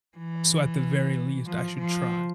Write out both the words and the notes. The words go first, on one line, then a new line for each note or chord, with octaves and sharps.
So, at the very least, I should try.
E3
F3
F3